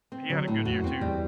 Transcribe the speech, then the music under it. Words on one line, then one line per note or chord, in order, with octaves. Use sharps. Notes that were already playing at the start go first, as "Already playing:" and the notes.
he had a good year too.
C4
D3 F#3
A2
E2 F#4
F#2
E2 C4
E2 G3